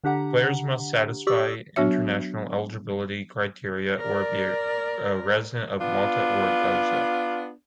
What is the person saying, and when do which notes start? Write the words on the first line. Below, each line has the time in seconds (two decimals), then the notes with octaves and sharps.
Players must satisfy international eligibility criteria or be a resident of Malta or Gozo.
0.04 D3 D4 G4 F#5 A#5
1.27 G4 D5 C#6 D#6 E6
1.76 F#3 B3 D4 F#4 C#5 E5
3.98 A#4 D5
5.81 B3 D4 F4